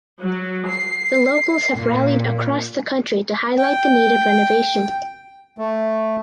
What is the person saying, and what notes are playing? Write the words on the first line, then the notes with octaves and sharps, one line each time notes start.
The locals have rallied across the country to highlight the need of renovation.
F#3
C7
A#2
G5
A3